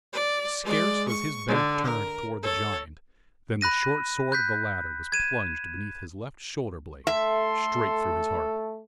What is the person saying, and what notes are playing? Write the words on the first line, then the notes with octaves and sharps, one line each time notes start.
Scarce was his back turned toward the giant than the short-sword of the latter was plunged beneath his left shoulder blade, straight through his heart.
D5
G#3 D5
C#6
D3
A#4
A4 C#5
B5 F#6 A#6 D#7
F#6 G6 B6
G#6 D#7 E7
A3 A4 E5 C6